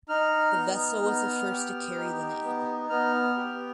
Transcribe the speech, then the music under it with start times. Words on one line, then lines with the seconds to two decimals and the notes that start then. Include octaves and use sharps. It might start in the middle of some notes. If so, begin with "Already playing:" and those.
The vessel was the first to carry the name.
0.09 D#4 F6
0.56 B3
1.03 B3
1.50 G4
1.97 D#4
2.44 B3
2.90 B3 F6
3.37 G4